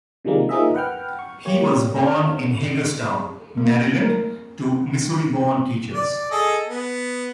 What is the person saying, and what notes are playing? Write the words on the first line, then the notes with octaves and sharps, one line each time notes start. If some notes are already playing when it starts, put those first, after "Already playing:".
He was born in Hagerstown, Maryland, to Missouri-born teachers.
C3 D#3 F3 G3 G#3 A#3
F3 A#3 D#4 G#4 D#5 E5
B4 F#5 G5 F6
C#6
A#3 G4 C#5
F6
A#3
A#4
D5
G#4 A4 D#5
B3